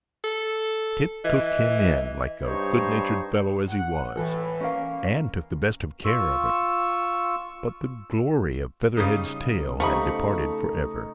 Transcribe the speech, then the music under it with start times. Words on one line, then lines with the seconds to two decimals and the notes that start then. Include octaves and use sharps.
Tip took him in, like a good-natured fellow as he was, and took the best of care of him; but the glory of Featherhead's tail had departed for ever.
0.24 A4
1.25 E3 D#5
2.44 G2 D#4 C5 C#5
3.69 F#5
4.17 A2 E3 A4
4.61 A#3 C#4 A#4 F5
6.05 F4 C#6 E6
8.97 C#3 G3 D#4
9.80 F3 A3 D#4 G4 A4 B5 C#6